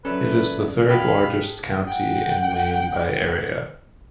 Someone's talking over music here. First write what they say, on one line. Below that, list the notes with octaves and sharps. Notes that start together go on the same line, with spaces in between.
It is the third-largest county in Maine by area.
F#3 C#4 A4 B4 D5 E5
G#4 A4 F5 G5 B5
F#5 G5